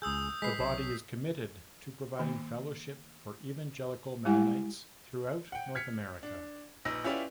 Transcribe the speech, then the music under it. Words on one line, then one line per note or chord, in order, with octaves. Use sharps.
The body is committed to providing fellowship for evangelical Mennonites throughout North America.
C#2 G#4 D#6 E6 G6
G#3 B4 B6 C7
B1 C#5
D#3 A#3
G3 G#3 E4 G4 F#5 G#5
F#5 G5
F6 G#6 B6 C#7
D4
A#1 D#4 B4 E6 A#6
C#4 E4 F4 G4 B4 D5